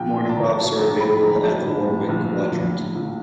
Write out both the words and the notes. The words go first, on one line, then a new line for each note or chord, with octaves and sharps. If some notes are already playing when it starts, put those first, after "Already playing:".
More shops are available at the Warwick Quadrant.
Already playing: A#1 G5
A2
A5
A#1 A#5
F#3 A5
A#1 A#5
A2 B5
A#1 A#5
F#3 A5
A#1
A2
A#1
F#3
A#1
A2
A#1